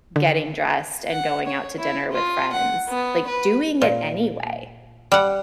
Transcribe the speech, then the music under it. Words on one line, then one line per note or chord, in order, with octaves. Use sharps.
getting dressed and going out to dinner with friends, like, doing it anyway,
D3
F#5
C#5
E4
F4
F#5
B3
B4
A#2
G3 F#5